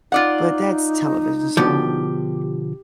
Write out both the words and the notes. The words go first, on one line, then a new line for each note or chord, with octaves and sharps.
But that's television, so
D#4 F4 D5 F#5
B2 D3 F3 G4